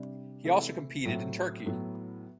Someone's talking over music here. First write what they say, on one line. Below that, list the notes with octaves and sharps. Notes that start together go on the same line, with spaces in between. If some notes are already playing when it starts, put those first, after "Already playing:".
He also competed in Turkey.
Already playing: C3 G3 D4
C3 E3 A3 E4
A2 F#3 C4 E4
A2 F#3 B3 E4